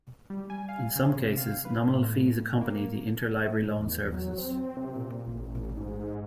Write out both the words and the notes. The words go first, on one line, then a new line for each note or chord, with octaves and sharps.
In some cases, nominal fees accompany the interlibrary loan services.
G3
G#5
F5
C#3
C3
F5
B4
A2
A#3
A2
E2
F#3
C4
C3
A#2
A1
G#2